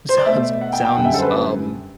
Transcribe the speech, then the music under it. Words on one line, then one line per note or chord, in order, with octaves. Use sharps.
Sounds sounds, um
C5
D5
B2 A3 E5
F#5
G5
G5
F#2 D3 G3 F#5
E5
A4 C5
B4